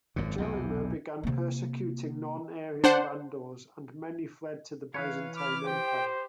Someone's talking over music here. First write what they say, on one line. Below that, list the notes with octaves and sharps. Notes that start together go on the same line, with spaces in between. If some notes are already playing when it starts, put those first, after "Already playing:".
Gelimer began persecuting non Arian Vandals, and many fled to the Byzantine Empire.
G#1 F#2 A#2
B1 E2 C3
C3 A#3
D4 C5 F#5
E3 B4 C#5 F5
B5 D6 F6
G4 C5 G5